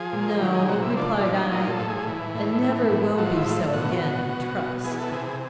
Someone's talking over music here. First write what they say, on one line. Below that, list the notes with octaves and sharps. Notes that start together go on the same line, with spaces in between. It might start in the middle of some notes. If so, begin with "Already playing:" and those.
'No,' replied I, 'and never will be so again, I trust.'
Already playing: F3 G#4
A#2
D#3 G4
G#4
C3 F#4
E4
F3 D4
D4
A#2
D#4
F3 D#4
A4
A2
G#4
E3
A2
E3
A2
F3 F#4
E4
A2
B2 F#4
B2
B2
B2
E3 G#4
A4
C3 G#4
G#4